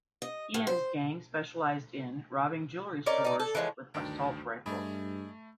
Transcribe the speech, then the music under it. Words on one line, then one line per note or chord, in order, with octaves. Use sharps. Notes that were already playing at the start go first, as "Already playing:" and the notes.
He and his gang specialised in robbing jewellery stores with assault rifles.
D#5
A2
C5
C#4 D#4 A#4 D5
D#4 D5
A4
E3 F3 G#3 C#5
D2 G2 D#3 D4 G5
G2 A3 G#4 D5 D#5 B5